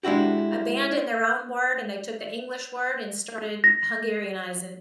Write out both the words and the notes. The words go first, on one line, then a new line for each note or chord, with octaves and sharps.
abandoned their own word, and they took the English word, and started Hungarianizing.
G#3 D4 E4 F#4 G4
A#6